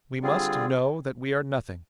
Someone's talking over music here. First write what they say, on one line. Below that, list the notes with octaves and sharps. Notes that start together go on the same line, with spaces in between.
We must know that we are nothing.
D3 G3 C4 F4 G#4